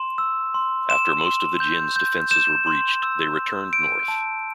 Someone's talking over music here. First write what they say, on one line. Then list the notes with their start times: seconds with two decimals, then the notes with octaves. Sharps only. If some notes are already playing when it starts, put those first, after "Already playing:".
After most of the Jin's defences were breached, they returned north.
Already playing: C6 E7
0.18 E6
0.54 C6
0.89 C6 E7
1.25 C6
1.60 G6
1.96 G6
2.31 G6 E7
2.67 C6
3.03 E6
3.37 C6
3.73 G6 D7
4.08 A5